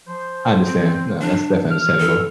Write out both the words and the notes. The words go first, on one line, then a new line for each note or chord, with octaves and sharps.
I understand. No, that's definitely understandable.
F3 C5
C4
D4
F6
A4